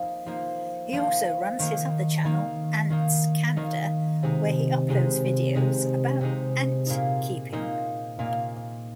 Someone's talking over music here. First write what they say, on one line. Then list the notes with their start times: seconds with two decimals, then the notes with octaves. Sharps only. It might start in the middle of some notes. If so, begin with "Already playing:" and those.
He also runs his other channel, AntsCanada, where he uploads videos about antkeeping.
Already playing: F3 A#3 D#4
0.26 F3 A#3 D#4
0.93 F3 A#3 D#4
1.59 D#3 A#3 D#4
2.24 D#3 A#3 D#4
2.90 D#3 A#3 D#4
3.56 D#3 A#3 D#4
4.23 C3 G#3 D#4
4.89 C3 G#3 D#4
5.55 C3 G#3 D#4
6.21 C3 G#3 D#4
6.86 A#2 A#3 D#4
7.53 A#2 A#3 D#4
8.19 A#2 A#3 D#4